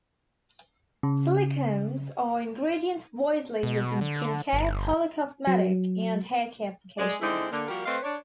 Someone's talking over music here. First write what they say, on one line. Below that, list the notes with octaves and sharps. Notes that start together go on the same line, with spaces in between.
Silicones are ingredients widely used in skin care, color cosmetic and hair care applications.
C#3
B2
D3
G1
F#3
G#3 G#4 D5
D3 G#3 C4 D#4 E4
D3 A#3
F3 G3 A#3 F#4 G4 A#4
A3 C4 B4 C5 D#5 F5
D4 C#5